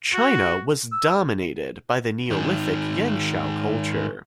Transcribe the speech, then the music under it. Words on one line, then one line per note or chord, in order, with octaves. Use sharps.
China was dominated by the Neolithic Yangshao culture.
F#4
E6
G#2 D#3